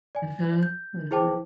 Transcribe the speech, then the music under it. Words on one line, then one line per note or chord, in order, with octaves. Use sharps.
Mhm. Mhm.
D5 G#5
G6
E4 G#4 C5 G5 A5 D6